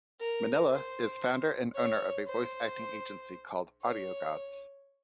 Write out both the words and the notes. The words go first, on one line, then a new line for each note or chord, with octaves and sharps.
Minella is founder and owner of a voice-acting agency called AudioGodz.
A#4
C5
C#5
C5
C#5